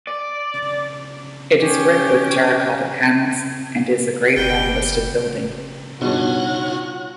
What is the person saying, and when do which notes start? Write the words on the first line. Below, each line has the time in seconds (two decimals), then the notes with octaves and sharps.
It is brick with terracotta panels and is a Grade One listed building.
0.07 D5
1.59 C#4 G4
4.37 F#1 G3 G5
6.01 G2 B2 D#4 F4 F#4 C#5 F#6